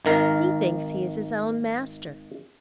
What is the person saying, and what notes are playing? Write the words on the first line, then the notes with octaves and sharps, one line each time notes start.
He thinks he is his own master.'
G#1 D#3 A#4 F5